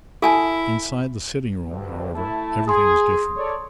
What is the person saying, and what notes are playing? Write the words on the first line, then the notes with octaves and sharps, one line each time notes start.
Inside the sitting room, however, everything was different.
E4 A4 G#5 A5
D2 G2
A3 E4 A5
G#4 C6 D#6
A4 C#5 D5